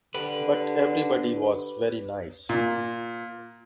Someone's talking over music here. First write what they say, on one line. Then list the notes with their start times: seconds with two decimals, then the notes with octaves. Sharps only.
But everybody was very nice.
0.15 D3 D4 G4 B4
2.49 A#2